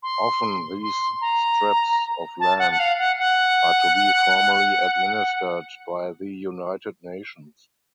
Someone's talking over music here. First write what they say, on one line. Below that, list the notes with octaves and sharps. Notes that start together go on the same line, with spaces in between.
Often these strips of land are to be formally administered by the United Nations.
C6
C6
A#5
A5
F#5
F#5
F5
F#5
F#5